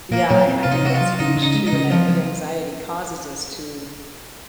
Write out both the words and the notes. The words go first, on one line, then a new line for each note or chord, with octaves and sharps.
Yeah, I I think that is huge too, and I think anxiety causes us to
A#2 A#3
A#2 F#3
C4
C3 F4
D#4
C3 F#4
F4
F#3
C#3 D#4
C#3
D#4
G#3
D#4
C#3
F3 C4
F#3